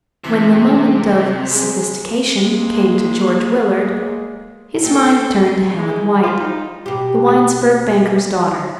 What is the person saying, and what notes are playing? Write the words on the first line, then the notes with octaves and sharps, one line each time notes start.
When the moment of sophistication came to George Willard his mind turned to Helen White, the Winesburg banker's daughter.
C3 E3
G#3 B5
G#3 A#3
A#2 A4 G5
G#3
F4
D#4
B2 G4